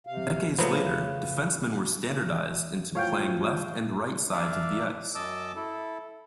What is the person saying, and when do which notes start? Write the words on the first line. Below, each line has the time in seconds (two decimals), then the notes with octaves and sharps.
Decades later, defencemen were standardized into playing left and right sides of the ice.
0.07 C3 F5
0.59 C#3 F3 F#3 A3 B3
2.95 A2 F3 C#5 F5 G5
4.33 A#3 D4 D5 E5 F5
5.15 F#2 D#5 A5 D6 E6
5.56 E4 A4